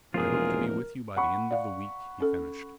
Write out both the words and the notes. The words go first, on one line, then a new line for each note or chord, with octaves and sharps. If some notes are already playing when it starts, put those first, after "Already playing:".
"I hope to be with you by the end of the week," he finished.
E1 F3 A#3 C4 F4 G#4 A#4
F#5 B5 C#6
D5 F5
C#4 A4